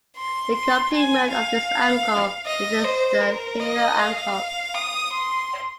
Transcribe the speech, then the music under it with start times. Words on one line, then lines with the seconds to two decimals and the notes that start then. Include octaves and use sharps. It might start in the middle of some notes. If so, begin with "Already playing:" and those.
The complement of this angle is the Taylor angle.
0.17 C6
0.55 C6
0.93 G#5
1.32 F5
2.46 D#5
2.85 C5
3.22 A#4
3.60 D#5
3.99 F5
4.75 D#6
5.13 C6